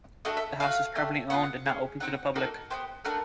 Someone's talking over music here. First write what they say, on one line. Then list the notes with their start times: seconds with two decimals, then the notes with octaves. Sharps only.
The House is privately owned and not opened to the public.
0.25 A3 D4 F#4 A4 D#5
0.37 E5
0.60 A3 D4 F#4 F5
0.95 A3 D4 G4
1.30 B3 D4 F4 F#5
1.66 C#4 F4 G#4
2.00 C4 D#4 F#4 F#5
2.35 A#3 D#4 F#4 A4
2.70 B3 D4 G4 C5
3.05 A3 D4 F#4 A#4